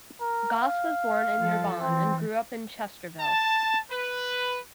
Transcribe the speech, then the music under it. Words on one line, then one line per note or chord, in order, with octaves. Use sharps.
Goss was born in Durban and grew up in Chesterville.
A#4
F5
F3 A4
E3 C4
A5
B4